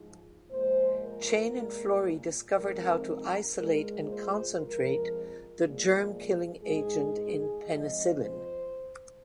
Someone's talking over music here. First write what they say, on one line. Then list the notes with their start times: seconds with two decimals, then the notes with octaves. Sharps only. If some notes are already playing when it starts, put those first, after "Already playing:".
Chain and Florey discovered how to isolate and concentrate the germ-killing agent in penicillin.
Already playing: G#2 F3 G#3
0.51 A#2 F3 G#3 C5
1.01 A#4
1.53 A#2 G#3
2.54 F2 C3 D#3 G#3 A#4
3.56 A#2 G#3 A#4
4.07 C5
4.57 F2 F3 G#3 A#4
5.60 A#2 F3 G#3 G#4
6.62 G#2 G#3 G#4
7.12 G#4
7.64 F2 F3 G#3 D#5
8.14 C5